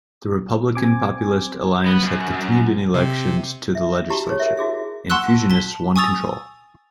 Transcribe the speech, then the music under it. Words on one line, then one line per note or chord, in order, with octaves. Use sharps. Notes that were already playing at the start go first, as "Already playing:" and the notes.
The Republican-Populist alliance had continued in elections to the legislature, and fusionists won control.
C4 G#5 D6
B3
F#2
F#2
C3
E5
E4 F#4 G4 A5 A#5
G#4 C#5
A#4 E5
E4 F#4 G#4 E5
F#5 A5 C6 C#6 E6 F#6
A5 B6 G7
G#5 C#6 D#6 E6 A6 F7